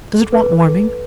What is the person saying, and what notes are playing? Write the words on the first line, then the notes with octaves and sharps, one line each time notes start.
Does it want warming?
A4
B4
A4
A4